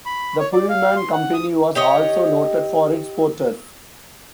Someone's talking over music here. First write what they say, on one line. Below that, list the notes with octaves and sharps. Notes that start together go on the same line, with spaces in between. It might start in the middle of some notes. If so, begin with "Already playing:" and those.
The Pullman Company was also noted for its porters.
B5
C#5
D5
F5
C6
F#5
D#6
G4 C#5 D#5